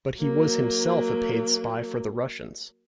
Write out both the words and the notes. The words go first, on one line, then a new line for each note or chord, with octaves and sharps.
But he was himself a paid spy for the Russians.
F#3 A#3